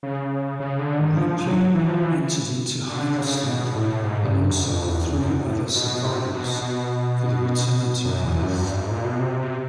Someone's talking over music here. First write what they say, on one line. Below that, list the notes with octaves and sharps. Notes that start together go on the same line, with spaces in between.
Ripley enters into hypersleep alongside the three other survivors for the return to Earth.
C#3
C#3
D3
D#3
F3
F#3
E3
F3
E3
D3
C#3
B2
A2
G#2
G2
F#2
F2
E2
F#2
A2
B2
C3
B2
B2
F#2
E2
F#2
G2
G#2
A#2
B2
C3
C3